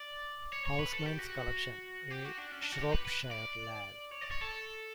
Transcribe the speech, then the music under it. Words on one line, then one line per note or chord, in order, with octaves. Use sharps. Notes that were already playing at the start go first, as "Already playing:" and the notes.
Housman's collection "A Shropshire Lad".
Already playing: D5
C#5
C#5
B4
A4
G4
F#4
G4
F#4
D4
C#4
D4
F#4
G4
B4
B4
D5
C#5
D5
C#5
A4